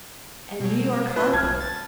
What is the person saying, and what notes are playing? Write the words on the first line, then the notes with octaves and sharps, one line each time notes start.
And New York harbour!
B2 F#3
D4 F4 B4
B1 A5 F6 G#6
A6